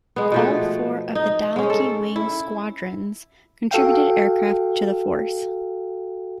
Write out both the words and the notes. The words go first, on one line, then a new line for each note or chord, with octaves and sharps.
All four of the Dallachy Wing's squadrons contributed aircraft to the force.
G#3 B3
B2 F3 A3
D#4
G#3 C#4
A4
E4
F#4 A4 F5 G5